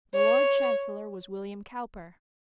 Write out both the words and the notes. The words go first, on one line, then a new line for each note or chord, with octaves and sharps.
The Lord Chancellor was William Cowper.
C#5